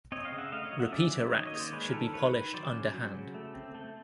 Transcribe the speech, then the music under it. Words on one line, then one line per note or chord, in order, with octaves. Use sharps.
Repeater racks should be polished underhand.
C4 C#5 D#5
D#5 F5
C#3
E5 F#5
A3 D#5 F5
C#5 D#5
F#3
E5 F#5
C#4 D5 E5
F#3
D#3 C#5 D#5
C#5 D#5
A#3
C5 D5
G#3 B4 C#5
A#4
D#3 A4 B4
D#3 B4 C#5
D#3
F#3 C5 D5
C#4
F#3
C#3
A3
C4
A3